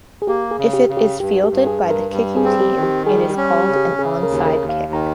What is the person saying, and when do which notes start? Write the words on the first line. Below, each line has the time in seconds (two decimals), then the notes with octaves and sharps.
If it is fielded by the kicking team, it is called an onside kick.
0.22 G#4
0.27 A#3 G4
0.51 G#4
0.58 C#3
0.73 G4
0.89 C#3
0.97 G4
1.20 G2 G4
1.44 G4
1.51 G2
1.57 G4
1.67 G#4
1.82 G2
1.90 A#4
2.14 G3
2.37 G#4
2.45 C4
2.61 G4
2.76 D#3
2.83 G4
3.06 G3 G#4
3.30 G4
3.37 C#4
3.53 G4
3.68 C#3
3.76 G4
3.99 C#3 G#4
4.23 A#4
4.30 D#2
4.46 A#4
4.61 D#2
4.69 F5
4.92 D#3 A#5